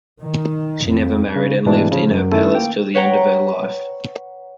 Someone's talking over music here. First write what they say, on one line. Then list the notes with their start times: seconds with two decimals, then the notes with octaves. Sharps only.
She never married and lived in her palace till the end of her life.
0.21 D#3
0.85 F2
1.36 C#3
1.66 G#2 B2 E3 G#3 A3 D4
1.91 C#3 F3
2.10 F#2
2.32 D#3 A3 C#4 E4 A4
2.55 A#3 G5
2.94 B4 C#5 F#5 G5 A#5